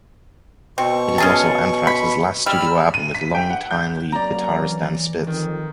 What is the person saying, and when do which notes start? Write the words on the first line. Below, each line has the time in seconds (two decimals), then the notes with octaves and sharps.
It is also Anthrax's last studio album with longtime lead guitarist Dan Spitz.
0.78 B2 C4 C#6
1.18 C#4 G#4 A5
1.87 B5
2.46 G3 B5 E6 F6
2.94 D#7
3.15 B6
3.35 G5
3.50 F#5
3.71 G6
4.12 F#3 A#3 C4 C#4 D5 A#5
4.62 E3
5.27 F2 D#3